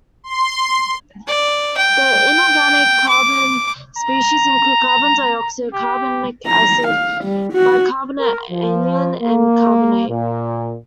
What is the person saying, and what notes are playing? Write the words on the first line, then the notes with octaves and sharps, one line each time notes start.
The inorganic carbon species include carbon dioxide, carbonic acid, bicarbonate anion, and carbonate.
C6
D5
G5
D6
A#5
G4
A#5
F5
G3
F#4
A#4
F3
A#3
A#2